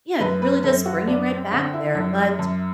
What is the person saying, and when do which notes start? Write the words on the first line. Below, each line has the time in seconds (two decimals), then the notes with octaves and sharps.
yeah, it really does bring you right back there. But,
0.20 F#2 B4
0.42 B4
0.64 F#2 A4
0.86 F#4
1.07 F#2 D4
1.30 C4
1.51 D3 C4
1.73 E4
1.95 F#2
2.39 F#2